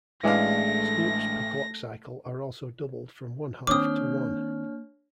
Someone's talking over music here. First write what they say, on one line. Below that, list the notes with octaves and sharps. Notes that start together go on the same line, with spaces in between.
Snoops per clock cycle are also doubled from one half to one.
A1 E3 G#3 A3 D4 F5 A#6
D#3 A#3 C4 D4 C#5 D6 D#6 F6